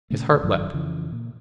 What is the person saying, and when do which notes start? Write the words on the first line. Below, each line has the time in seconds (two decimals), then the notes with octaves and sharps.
His heart leapt.
0.10 A#2 C#3 A3
0.42 G#1 F#2 D#3 F#3
0.73 F2 C#3 E3 F3
1.12 A#2